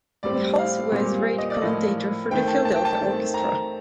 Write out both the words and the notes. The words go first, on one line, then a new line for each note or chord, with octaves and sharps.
He was also a radio commentator for the Philadelphia Orchestra.
A2 G3 C4 D5
F5
A#2 G3 C4
D#5
D5
A2 F3 A#3 D#5
D#3 A3 C4 G5
A5
A5
G5
A5
D#3 A3 C4
A#5